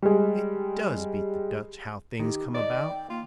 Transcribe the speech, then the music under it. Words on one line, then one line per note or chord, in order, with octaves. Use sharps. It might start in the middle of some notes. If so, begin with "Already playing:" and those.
"It does beat the Dutch how things come about!"
G3 G#3
D#3 G4
D5 D#5
G5
A#3 F4